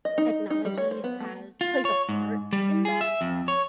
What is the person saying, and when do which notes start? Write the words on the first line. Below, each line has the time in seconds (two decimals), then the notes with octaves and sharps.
technology has plays a part in that?
0.05 D#5
0.18 D#4
0.50 D#4
0.65 G3
0.78 C#5
0.91 C5
1.04 B3
1.20 A3
1.61 F4
1.85 C#5
2.09 G#2
2.53 G3
2.85 G#4
3.01 E5
3.21 F2
3.48 C#5